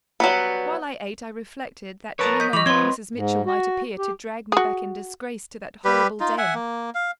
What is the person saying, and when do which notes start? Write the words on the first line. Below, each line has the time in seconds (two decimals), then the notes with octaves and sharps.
While I ate I reflected that any moment Mrs. Mitchell might appear to drag me back in disgrace to that horrible den.
0.20 F#3 G3 B3
2.19 A#4 B4 C#5 A5 A#5
2.40 D#5 G6 B6
2.53 E3 D#5 B5 C#6 D6 F7
2.66 F3 C4 B4 C#5 C6 C#6 G#6
3.15 G#2
3.46 F#4
3.98 G4
4.52 F#4 G#4
5.85 G3 G4 B4
6.20 D#4 F4
6.38 E5 F#5 G#5
6.54 A#3
6.95 F5